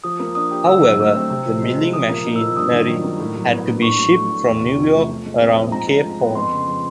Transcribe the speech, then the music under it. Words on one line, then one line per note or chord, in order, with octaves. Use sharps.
However, the milling machinery had to be shipped from New York around Cape Horn.
F3 D#6
A#3
D4 D#6
G4
D3 E6
F#3
A3
C4
C3
F3
G#3
C3
F3 D#6
A#3
D#4
E6
F3
G2 D#6
D#3
F#3
A#3
A2
F#3
B3
D4
A2 C#6
F#3
A3
A2
E2
C3
F3
A3
F3
G#3
C4
F3
G#2 A#5
F3
G#3
B3
F2 C6
C#3
F3